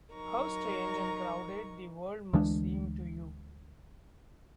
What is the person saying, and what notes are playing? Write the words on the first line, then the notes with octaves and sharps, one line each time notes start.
How strange and crowded the world must seem to you!
F#3 D#4 A#4 A#5 C#6
D2 E3 G#3 D4